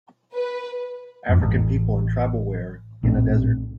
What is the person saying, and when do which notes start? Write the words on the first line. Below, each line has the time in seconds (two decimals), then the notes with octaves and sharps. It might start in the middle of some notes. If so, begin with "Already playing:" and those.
African people in tribal wear in a desert.
0.33 B4
1.29 F2 G#2
1.41 A1
3.03 A#1 A2 C4 C#4